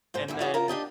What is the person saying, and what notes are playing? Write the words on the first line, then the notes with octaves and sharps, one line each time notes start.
And then,
G#2 C3 C5
E2 G#2 G3
E3 G3 C#4 F#4 G#4 B4
F4 A#4 A#5
D4 G4 D#5 A5